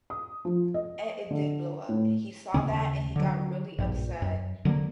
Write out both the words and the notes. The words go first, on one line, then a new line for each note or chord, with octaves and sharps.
and it did blow up. He saw that, and he got really upset.
D#6
F3
D#5
D3
A2
D#2 C#3 C#4
D3 F#3
A#1 G2
F#2
D3 F#3 G3 A#3